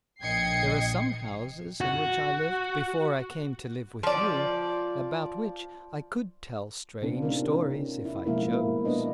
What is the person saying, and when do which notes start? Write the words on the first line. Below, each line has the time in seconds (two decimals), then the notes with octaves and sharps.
There are some houses in which I lived, before I came to live with you, about which I could tell strange stories if I chose.
0.22 A#1 D#5 G5 G#6 C7 C#7
1.81 F#4
4.03 F3 D5
7.02 C3 B3 C4 D4 F4
7.22 A3 C4 C#4 D#4 G4 A#4
8.05 E4
8.26 B2 F3 G#3 A#3 E4 A#4
8.85 A#3 B3 D4 B4 D5 D#5